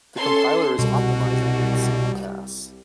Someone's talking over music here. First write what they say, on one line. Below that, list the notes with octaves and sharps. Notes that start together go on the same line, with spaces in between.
The compiler is optimizing and single pass.
C#4 A4 C6
C2 B2 G3 F#4